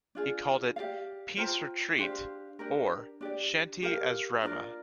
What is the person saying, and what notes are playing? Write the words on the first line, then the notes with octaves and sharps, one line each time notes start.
He called it "Peace retreat", or, "Shanti Asrama".
D4 F4 G#4
G4 D5 F5
F4 C5 G5 A#5
D4 G4 C5 F5
D4 G4 A#4
D4 G4 D5
G4 A#4 F5
D4 F4 A#4 D5